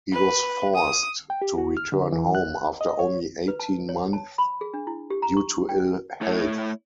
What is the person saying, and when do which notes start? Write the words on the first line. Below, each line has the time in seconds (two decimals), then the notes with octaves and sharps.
He was forced to return home after only eighteen months due to ill health.
0.12 B4
0.75 D#6
1.30 G5
1.42 G4
1.58 F#4
1.77 F6
1.92 D3
2.12 E3
2.35 F#6
2.81 D#5
2.99 C#5
3.48 B4
3.60 A5
3.89 C#5
4.13 A5
4.38 B5
4.61 G#4
4.74 D4
4.87 E4
5.10 G4
5.22 A#5
5.37 C#6
5.69 G5
6.21 A3 E4 C#5 E5